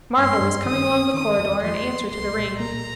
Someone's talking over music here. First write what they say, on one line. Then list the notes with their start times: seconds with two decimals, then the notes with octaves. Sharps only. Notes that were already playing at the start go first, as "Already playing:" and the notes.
Marvel was coming along the corridor in answer to the ring.
0.17 G2 C6
0.41 G2
0.65 D#3 D#6
0.89 C4
1.14 D#3 D#6
1.38 F2
1.63 F3 C6
1.87 A#3
2.11 C2 C6
2.35 A#2
2.60 A#3 A#5